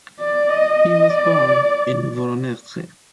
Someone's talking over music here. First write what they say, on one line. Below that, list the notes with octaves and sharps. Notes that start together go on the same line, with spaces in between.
He was born in Voronezh.
D5
D#5
D5